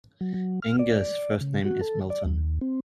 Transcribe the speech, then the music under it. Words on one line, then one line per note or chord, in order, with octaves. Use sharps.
Inge's first name is Milton.
F#3
F#3
F6
D5
C#3
F#4
A4
D5
D#2
C4